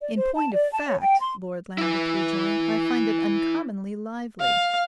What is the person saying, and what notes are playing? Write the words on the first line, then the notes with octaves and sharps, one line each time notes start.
"In point of fact," Lord Lambeth rejoined, "I find it uncommonly lively."
D5
C5
A5
D5
A5
C#5
G5
C6
E4 B4
F5